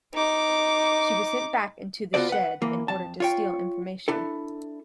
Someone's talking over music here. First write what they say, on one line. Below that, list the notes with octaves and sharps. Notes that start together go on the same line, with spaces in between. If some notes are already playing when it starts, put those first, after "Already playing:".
She was sent back into The Shed in order to steal information.
D#4 D6
B3 F4 F#4 A4 C5 D5
B4 F#5
E3 A#3
F2 A5
F4 C#5 G5
D4 E4 A4